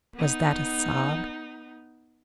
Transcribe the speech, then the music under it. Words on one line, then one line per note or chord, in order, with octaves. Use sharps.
Was that a sob?
B3 D#4